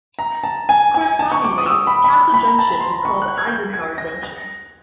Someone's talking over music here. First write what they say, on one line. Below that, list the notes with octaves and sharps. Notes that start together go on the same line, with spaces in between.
Correspondingly, Castle Junction was called Eisenhower Junction.
A#5
A5
G#5
G#5
A5
C#6
D6
D#6
E6
D#6
B5
B5
B5
A#5
A5
A#5
C6
B5
C#6
F#6
G#6
G6
G#6
A#6
A#6